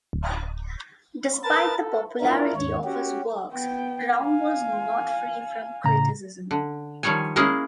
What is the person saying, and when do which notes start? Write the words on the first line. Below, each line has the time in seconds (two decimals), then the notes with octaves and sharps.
Despite the popularity of his works, Graun was not free from criticism.
0.13 D1
1.44 A#4 B4 A5 A6
1.76 A4
2.21 D4 E4 F4 A#4
2.55 D#2 G#2 C#5
2.84 C#4 F#4 G4
3.53 B3 G5
4.14 F5 G#5
5.84 A2 C#3 A#5
6.51 D3
7.03 D#3 F3 G3 C#5 G#5
7.36 G#3 A#3 C#4 E4 G#4